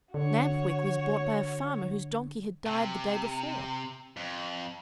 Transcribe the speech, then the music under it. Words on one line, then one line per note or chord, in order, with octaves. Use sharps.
Lamp-Wick was bought by a farmer whose donkey had died the day before.
D3 F#4 C#5
C3
F2